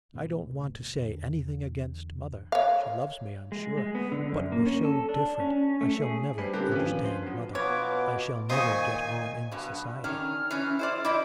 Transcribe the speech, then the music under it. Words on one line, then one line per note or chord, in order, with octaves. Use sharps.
I don't want to say anything against mother; she loves me, I'm sure: but we're so different, I shall never understand mother, I shall never get on in society.
D2 G2 B2 B3
E2 D3
C#5 F5
G#3
G#3
B3
D3
F#2
A#3
C#4
A4
D4
C#4
A3
G#4
G3 D4 B4 C5 G#5 B5
C#3 C4 D4 G4 A4 A#4 F#6
G#1 D2 F3 C#4 B4
C5 C6
F#3 B3
B2 B3 F4 B4 C#5 D6
A#2 D#3 C5 D#5 G#5 C#6
G2 B2
D#3 C#4 D4 F6
E3 C#4
E4 C5 D5
E4 C5 D#5 D6